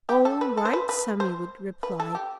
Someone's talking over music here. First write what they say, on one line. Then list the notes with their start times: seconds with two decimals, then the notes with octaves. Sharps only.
"All right," Sammy would reply.
0.09 G4
0.25 A4
0.41 B4
0.57 A4
0.65 C5
0.73 B4
0.89 B4
1.20 C5
1.83 B4
2.00 A4
2.15 G4